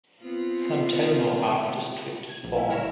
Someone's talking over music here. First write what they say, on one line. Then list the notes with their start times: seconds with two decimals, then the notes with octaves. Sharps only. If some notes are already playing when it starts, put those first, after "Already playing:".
San Telmo Art District is born.
0.20 B3 C4 F4
2.29 G#6
2.43 A#1
2.56 E4
2.68 A1 E4 A#4 C#5 E7